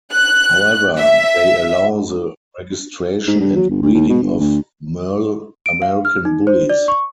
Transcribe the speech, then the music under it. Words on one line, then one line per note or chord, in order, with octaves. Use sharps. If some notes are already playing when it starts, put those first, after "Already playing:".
However, they allow the registration and breeding of merle American Bullies.
F#6
E5
G#2
G2
F#3
G1
D2
D#2
B2
G1
D2
D7
F5
F6
D#4
C5
D5
C#6